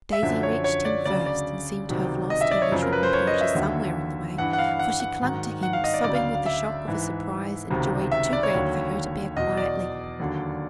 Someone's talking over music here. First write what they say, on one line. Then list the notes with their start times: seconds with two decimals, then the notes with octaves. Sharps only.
But Daisy reached him first, and seemed to have lost her usual composure somewhere on the way, for she clung to him, sobbing with the shock of a surprise and joy too great for her to bear quietly.
0.12 E5
0.23 F#2 D3 F3 E5
0.43 C#5
0.64 C#5
0.85 D5
1.05 D2 C#3 F#3 D5
1.26 D5
1.89 C#2 C3 D#3 F#3
2.30 D#5
2.41 E5
2.51 D5
2.62 C#5
2.72 F#2 C#3 F3
2.82 A#4
2.93 B4
3.03 C5
3.13 C#5
3.27 D#5
3.41 E5
3.55 D#2 D3 F#3
4.38 G2 E3 F#5
4.53 F#5
4.58 F5
4.79 F#5
5.00 F#5
5.21 G#2 D#3 F#3
5.63 F#5
5.73 F5
5.84 D#5
5.94 D5
6.04 D2 C#3 F#3 D5
6.15 F5
6.35 F5
6.46 E5
6.87 G#2 E3
7.70 C#2 C3 D#3 F#3
8.11 E5
8.33 D5
8.43 C#5
8.54 D#2 D3 F#3
9.36 E2 B2 F#3 D#5
9.57 D5
10.20 D#2 D3 F#3